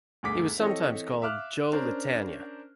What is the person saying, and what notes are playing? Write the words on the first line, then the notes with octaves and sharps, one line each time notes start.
He was sometimes called "Joe" Lentaigne.
G1 D2 G#4 D6 B6
E3 C4 A4 C#5 D#5
E5 F5 D6 F6 F#6
C#4 D4 A#4 C5